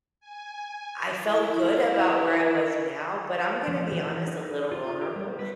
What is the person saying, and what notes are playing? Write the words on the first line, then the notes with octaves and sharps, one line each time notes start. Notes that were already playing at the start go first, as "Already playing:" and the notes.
I felt good about where I was now, but I'm gonna be honest, a little vulnerable,
G#5
E4
F3
E3
D#4
F4
G4
G3
B4